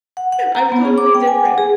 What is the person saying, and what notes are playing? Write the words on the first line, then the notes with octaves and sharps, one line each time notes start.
I'm totally different.
F#5
F#5
A#5
B3
G#4
D6
G5
G#5
F#5
G#4